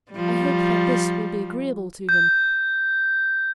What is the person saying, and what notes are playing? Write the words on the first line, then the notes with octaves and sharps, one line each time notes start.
I hope that this will be agreeable to him.
F3 G3
G6